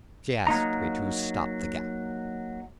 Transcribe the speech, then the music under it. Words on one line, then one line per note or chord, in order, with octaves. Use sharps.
She asked me to stop the gap.
F#3 A#3 D#4 A#5